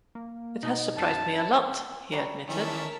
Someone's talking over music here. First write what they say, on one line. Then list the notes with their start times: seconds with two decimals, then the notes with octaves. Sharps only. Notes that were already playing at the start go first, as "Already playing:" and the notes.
"It has surprised me a lot," he admitted.
0.15 A#3
0.63 B2 D#4
0.97 F#2 A5
2.12 F#3 G3
2.49 D#3 E3 C#4 A#4 A5 B6